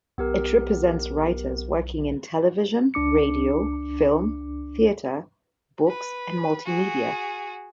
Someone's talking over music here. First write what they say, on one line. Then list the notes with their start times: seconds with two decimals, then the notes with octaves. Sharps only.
It represents writers working in television, radio, film, theatre, books and multimedia.
0.18 B1 B3 G4 A#4
2.94 C#2 D4 D6 C#7
5.88 B4
6.65 F#4 G#4